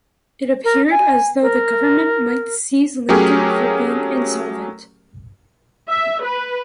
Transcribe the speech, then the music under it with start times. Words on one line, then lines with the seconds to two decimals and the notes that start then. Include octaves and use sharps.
It appeared as though the government might seize Lincoln for being insolvent.
0.64 A#4
0.91 G#5
1.42 A#4
3.09 F#3 A3 C#4 G4 G#4 A#4
5.89 E5
6.22 B4